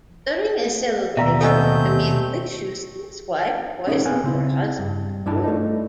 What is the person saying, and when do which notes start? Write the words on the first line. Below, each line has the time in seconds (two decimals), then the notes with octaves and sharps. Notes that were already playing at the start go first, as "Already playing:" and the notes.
During a celebration, Dmitriy Shuisky's wife poisoned her husband's food.
1.17 D#2 B2 D5 E5 F5 A#5 E6
1.41 A3 C4 A4 D#5 F#5 G#5 E6 G6
3.87 C#4 D#4 G#4 A#4 C#5
4.05 B3 C4 B4 F5 G#5
4.24 C#3 C4 E4
4.79 G2
5.26 G2 D4 E4 A5
5.43 A3 D4 D#4